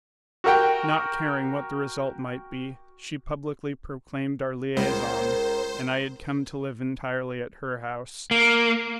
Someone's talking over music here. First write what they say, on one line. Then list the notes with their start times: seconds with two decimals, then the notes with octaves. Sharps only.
Not caring what the result might be, she publicly proclaimed our liaison, and I had come to live entirely at her house.
0.44 F#4 G4 A#4 F#5 G5
4.77 C#2 A#4 C5
8.31 A#3